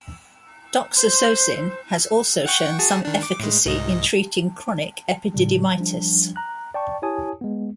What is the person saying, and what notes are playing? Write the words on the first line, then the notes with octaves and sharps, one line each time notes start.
Doxazosin has also shown some efficacy in treating chronic epididymitis.
C5
F#5 G5 C#6
F#4 G#4 A5
D#3 D4
D6
A2 G#3
C2 G#2 D#5
A2 C#3 G3
F3 G3 D4
A#5 F#6
D5 G5 A5 C#6
E4 G4 C#5 G#5 A5 D#6
G#3 B3